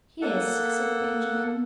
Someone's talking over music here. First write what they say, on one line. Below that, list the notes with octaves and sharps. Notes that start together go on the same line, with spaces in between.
"Yes," said Benjamin.
A#3 A4 F#5